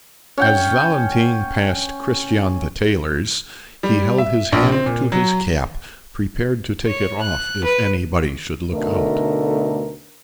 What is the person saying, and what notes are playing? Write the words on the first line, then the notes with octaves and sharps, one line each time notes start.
As Valentine passed Christian the tailor's, he held his hand to his cap, prepared to take it off if anybody should look out.
C#4 F#5 G5
G3
E5
A#1
C4
A#2
F#3
C#5
F#6
B4
D2 B2 D3 A3 D#4 A#4